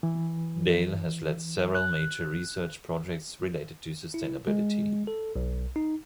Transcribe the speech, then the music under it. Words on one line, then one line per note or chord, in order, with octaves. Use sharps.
Dale has led several major research projects related to sustainability.
E3
F#6
E4
G#3
A4
B1
D#4